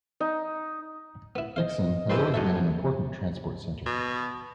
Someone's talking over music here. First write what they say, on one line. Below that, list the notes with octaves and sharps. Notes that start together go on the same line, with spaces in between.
Iksan has always been an important transport center.
D#4
B3 E4
C5 D#5 F5
E3 G3 A#3 G4 C5
F#2 G3 D#4 F#4 A4 E5
B2